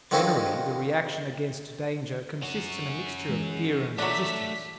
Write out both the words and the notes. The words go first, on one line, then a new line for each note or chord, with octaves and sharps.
Generally the reaction against danger consists in a mixture of fear and resistance.
D3 D#3 F3 C4 C#4 D#4
C#4 F#4
E3 G#3
F#3 A3 D4 B6